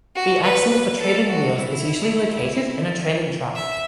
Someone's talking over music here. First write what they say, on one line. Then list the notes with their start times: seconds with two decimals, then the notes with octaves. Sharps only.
The axle of the trailing wheels is usually located in a trailing truck.
0.15 F#4
0.43 B4
0.72 B4
1.01 A4
1.29 F#4
1.56 E4
3.55 E5